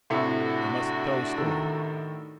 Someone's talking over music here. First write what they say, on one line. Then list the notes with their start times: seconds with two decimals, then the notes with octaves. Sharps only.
I must tell a story.
0.10 A2 C3 A3 D4 F#4
1.38 D#3 A4